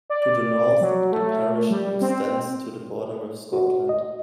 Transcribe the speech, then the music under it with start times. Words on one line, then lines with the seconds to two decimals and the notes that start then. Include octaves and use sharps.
To the north the parish extends to the border with Scotland.
0.10 D5
0.81 F#3
1.12 A3
1.70 G3
2.01 C4
3.53 F#4
3.89 D#5